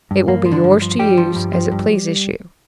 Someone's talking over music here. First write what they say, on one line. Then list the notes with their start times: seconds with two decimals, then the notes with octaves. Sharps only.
It will be yours to use as it pleases you.
0.11 G2
0.28 G2 A#3
0.46 F3
0.51 D3 D4
0.64 G2
0.82 F3
0.99 G2 G3 G4
1.17 F3
1.36 G2
1.53 F3
1.71 G2